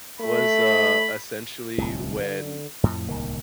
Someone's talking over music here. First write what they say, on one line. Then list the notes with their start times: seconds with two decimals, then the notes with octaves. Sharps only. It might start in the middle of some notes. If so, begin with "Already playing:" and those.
was, uh, essentially when
0.21 A3 B5
1.78 D1 C2
2.21 D3
2.83 F2 A2
3.09 D1 C2 D#3 A#3